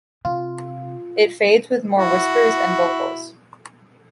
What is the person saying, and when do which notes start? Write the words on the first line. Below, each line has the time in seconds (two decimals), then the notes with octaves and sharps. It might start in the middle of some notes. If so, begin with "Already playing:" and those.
It fades with more whispers and vocals.
0.25 C3 F4
1.97 E4 F#4